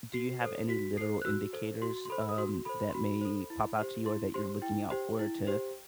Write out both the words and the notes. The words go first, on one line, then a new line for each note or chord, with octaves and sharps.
do you have any literal indicators, um, that may pop out to you or that you're looking out for to,
F#4 C7
A4 C5
F#4 B6
A4 C5 C7
F#6
F#4 E6
A4 C5
F#4 C6
C6
A4 C5 B5
E6
D#6
F#4 C6
A4 C5 B5
C6
F#4 B5
A4 C5
E4
G4 C5
E4 C6
G4 C5 C6
E4 G5
G4 C5
E4
G4 C5